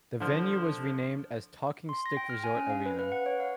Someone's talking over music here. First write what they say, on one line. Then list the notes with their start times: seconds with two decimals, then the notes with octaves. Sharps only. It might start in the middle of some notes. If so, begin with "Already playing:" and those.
The venue was renamed as Talking Stick Resort Arena.
0.20 D3 F3
1.89 C6
2.06 A#6
2.17 G5
2.30 F6
2.44 G#5
2.56 C#4
2.70 F5
2.86 B4
2.99 B4
3.12 F#5
3.26 C#5
3.40 F5